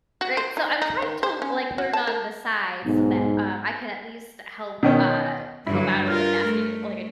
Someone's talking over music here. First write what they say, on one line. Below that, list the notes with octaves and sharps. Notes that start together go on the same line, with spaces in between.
Right, so I'm trying to, like, learn on the side, so, that, um, I can at least help, uh, help out if someone asks me, like, a
F#4
C5
D#4
D#4
D#3
C5
C#4
F#4
A5
A#4
B1 G#2
B2 D#3 C#4
G2 D3 F#3 E4
F4 A#4 F6
A3